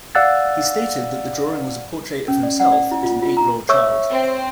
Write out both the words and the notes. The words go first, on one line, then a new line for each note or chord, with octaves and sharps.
He stated that the drawing was a portrait of himself as an eight-year-old child.
D5 F5 F#5 E6 F#6 A6
C#4
D5
F#5
D5
E4
F4
F4
A#5
C#5 E5 C#6 E6
C4